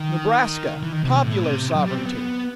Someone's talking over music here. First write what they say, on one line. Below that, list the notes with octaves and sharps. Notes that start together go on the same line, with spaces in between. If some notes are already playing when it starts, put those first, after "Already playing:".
Nebraska--Popular Sovereignty.
Already playing: D#3
E3
D#3
C3
B2
A2
C3
F#3
G3
C4
B3